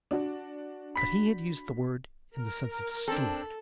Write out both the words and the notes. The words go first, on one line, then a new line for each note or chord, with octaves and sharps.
But he had used the word in the sense of Steward.
D4 F#4
B5 B6
A#4
C4 D4 A4